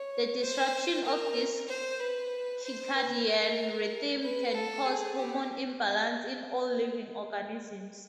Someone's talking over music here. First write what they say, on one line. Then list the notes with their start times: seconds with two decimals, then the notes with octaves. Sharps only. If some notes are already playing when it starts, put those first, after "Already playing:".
The disruption of this circadian rhythm can cause hormone imbalance in all living organisms.
Already playing: C#5
0.41 C5
1.04 A#4
1.69 C5
2.00 B4
2.63 C5
2.95 B4
3.27 A#4
4.23 B4
4.54 A4
4.86 G#4
5.17 G4